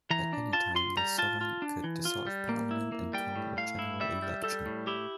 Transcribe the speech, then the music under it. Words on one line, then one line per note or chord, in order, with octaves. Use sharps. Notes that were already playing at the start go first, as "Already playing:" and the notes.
At any time the Sovereign could dissolve parliament and call a general election.
E3 A#5
D4
F4 A5
F4 C6
G3 A#5
F4 A5
F4
D4
E3
F4
G3
A#3
E4
A#3
G3 G5
A2
A2 F5
E4
G3 E5
G3
G3 A4
A2
E4 G4